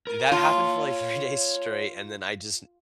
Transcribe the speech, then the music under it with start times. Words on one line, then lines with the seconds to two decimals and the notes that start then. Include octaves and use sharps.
that happened for, like, three days straight, and then I just
0.07 A#4
0.32 F4 C#5 A5